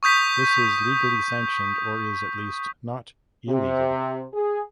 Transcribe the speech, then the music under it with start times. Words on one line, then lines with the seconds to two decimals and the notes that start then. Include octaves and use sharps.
This is legally sanctioned or is, at least, not illegal.
0.03 C#6 D#6 G6 B6
3.49 C3
4.34 G#4